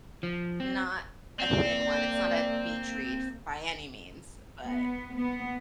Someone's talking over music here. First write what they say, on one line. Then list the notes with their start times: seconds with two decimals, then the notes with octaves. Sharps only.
not a thin one, it's not a beach read f by any means, but
0.23 F3
0.60 C4
1.40 A#3 C4 D5
4.64 B3
5.17 B3